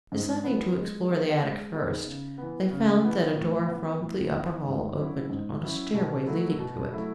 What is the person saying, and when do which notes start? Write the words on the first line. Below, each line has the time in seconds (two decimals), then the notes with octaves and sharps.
Deciding to explore the attic first, they found that a door from the upper hall opened on a stairway leading to it.
0.12 G#2
0.44 E3 B3
0.77 G#3
1.09 B3 D#4 G#4
1.41 G#3
1.73 B3 D#4 G#4
2.06 C#3
2.38 E3 B3
2.71 C#3
3.02 E3 B3
3.36 A2
3.67 E3 B3
4.00 A2
4.32 E3 B3
4.65 G#2
4.97 F#3 C#4 E4
5.30 G#2
5.61 F#3 C#4 E4
5.94 B2
6.27 F#3 A3 E4
6.59 B2
6.91 F#3 A3 E4